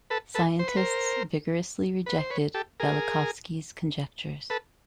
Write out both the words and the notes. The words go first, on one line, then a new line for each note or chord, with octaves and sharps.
Scientists vigorously rejected Velikovsky's conjectures.
A4 B4
A4 B4
C5
B4
A#4 C5
B4
C5
B4 C#5
G4 A4
G#4 A#4
A4 B4